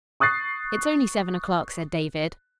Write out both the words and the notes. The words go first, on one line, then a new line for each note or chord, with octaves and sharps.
"It's only seven o'clock," said David.
C#6 D#6 F#6 A6 C7